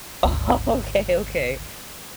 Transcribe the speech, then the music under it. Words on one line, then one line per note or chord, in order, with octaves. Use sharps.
Oh, okay, okay,
G#1 D2